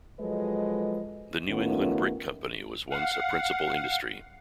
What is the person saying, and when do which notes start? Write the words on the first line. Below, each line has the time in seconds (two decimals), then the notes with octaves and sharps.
The New England Brick Company was once a principal industry.
0.19 F3 F#3 G#3 A4 B4 D#5
1.49 D#2 D#3 A3 B3 C#4 F4
2.91 F5 F#5